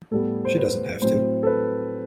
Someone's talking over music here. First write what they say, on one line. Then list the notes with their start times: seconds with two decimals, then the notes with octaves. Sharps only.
She doesn't have to.
0.11 A2 G3 B3 A4
0.45 C5
0.57 B4
1.02 A2 F#3 C4 C5
1.43 A4
1.46 B4